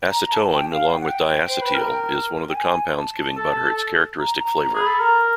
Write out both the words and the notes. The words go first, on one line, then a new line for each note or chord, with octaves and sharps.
Acetoin, along with diacetyl, is one of the compounds giving butter its characteristic flavor.
A#5
A5
G5
F5
G5
F#5
G5
C5
B4
A#4
G5
G#5
A5
A4
A#5
A#5
A#5
G#4 B5
A4
A#4 A#5